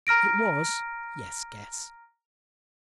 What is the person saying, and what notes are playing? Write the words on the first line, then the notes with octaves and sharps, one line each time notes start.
It was--yes, guess!
A#5 F6 A#6 D7